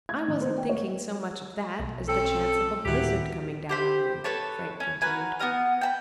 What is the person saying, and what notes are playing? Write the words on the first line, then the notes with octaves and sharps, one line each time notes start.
"I wasn't thinking so much of that as the chance of a blizzard coming down on you," Frank continued.
G#6
D#3
C5
G5
C#5
B1
C4 C#4 A4
D1 D#3 F#3 E4 G4
G4 C5 B5
A4 B4 C#5 A5
C#4
F#4 A#4 B4 G#5
B3 C4 D#5 F6
G5 A5 B5